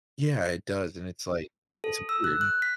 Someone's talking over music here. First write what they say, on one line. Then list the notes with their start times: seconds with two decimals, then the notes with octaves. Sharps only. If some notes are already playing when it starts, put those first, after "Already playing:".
Yeah. It does. And it's, like, it's weird.
1.84 A4
2.09 E6
2.24 F#6
2.41 F#6
2.62 B6